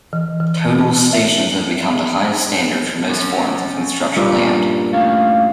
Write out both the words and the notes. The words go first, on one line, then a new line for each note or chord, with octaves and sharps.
Total stations have become the highest standard for most forms of construction layout.
E3
E3
E5
C#4 F#5
G2 A#2 A#3
A3 C#4 F5